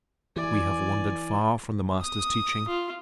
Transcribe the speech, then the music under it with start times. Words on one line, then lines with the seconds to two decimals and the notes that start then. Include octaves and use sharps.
We have wandered far from the Master's teaching.
0.36 E3 D5 G#5
2.02 D#6
2.68 F4